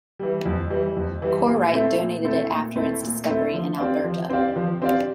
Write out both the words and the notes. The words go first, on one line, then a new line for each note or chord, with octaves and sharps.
Korite donated it after its discovery in Alberta.
E3 G3
F2
E3 G3
F2
E3 G3
A#2
A3 C4 E4 A4
A#2
A3 C4 E4 A4
A#2
A3 C4 E4 A4
A#2
A3 C4 E4 A4
F3
C4 G4 D5 F5
F3
C4 G4 D5 F5
F3
C4 G4 D5 F5